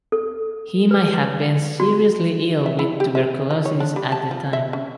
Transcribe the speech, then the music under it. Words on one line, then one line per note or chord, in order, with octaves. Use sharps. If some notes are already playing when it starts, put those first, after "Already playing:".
He may have been seriously ill with tuberculosis at the time.
A4
B4
F#4
E5
E4
G4
E5
F3
C#5
D4
G3
A5
F3
E5
C#4